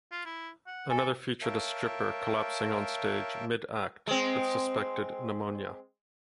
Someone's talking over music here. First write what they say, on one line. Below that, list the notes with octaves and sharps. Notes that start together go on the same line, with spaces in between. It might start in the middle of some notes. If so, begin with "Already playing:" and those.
Another featured a stripper collapsing on stage mid-act with suspected pneumonia.
F4
E4
F#5
A4 G#5
A#4 C#5 E5 F5 G5 A5
G#3 C4